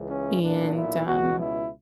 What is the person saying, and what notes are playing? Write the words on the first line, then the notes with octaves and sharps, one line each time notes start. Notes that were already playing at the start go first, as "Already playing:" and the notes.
and, um
Already playing: C#2 C#3 E3
C#4
B1 A#2 D4
E4
C#2 B2 F#4
E4